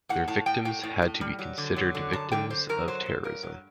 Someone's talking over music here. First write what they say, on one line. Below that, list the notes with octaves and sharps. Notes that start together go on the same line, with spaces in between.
Their victims had to be considered victims of terrorism.
A2 F#5
A2 A5
A2 G5
A2 G5
A2
A2
G3
F#3
D3
F#3
D3
F#2 A5
D3 G5
D3 C5
F#2 A#4
F#3 C5
F#3
G2 A#4
F#3